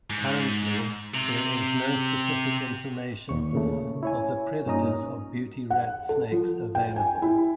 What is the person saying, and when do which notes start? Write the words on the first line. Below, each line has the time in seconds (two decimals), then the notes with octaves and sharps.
Currently, there is no specific information of the predators of beauty rat snakes available.
0.10 G#2
1.14 C3
3.29 D#2 C#6
3.53 A#2 C#3 A3
4.03 E4 C#5 G#5
4.66 G2 A#2 C#4 D#4 A#5 D#6
5.70 F#5
6.09 A4
6.32 F3
6.75 G5
6.96 G#5
7.22 E4